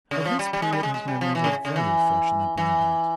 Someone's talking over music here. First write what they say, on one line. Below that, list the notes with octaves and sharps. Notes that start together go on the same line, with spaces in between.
Of this period his memories are very fresh and abundant.
C#3
F3
G3
G3
G#3
G3
G#3
G#3
G3
F3
E3
C#3
C#3
E3
E3